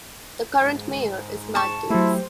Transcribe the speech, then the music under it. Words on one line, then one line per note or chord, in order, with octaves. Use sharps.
The current mayor is Matt Dobbs.
G#2
A5 C#6
F#3 A3 E4 G4 C5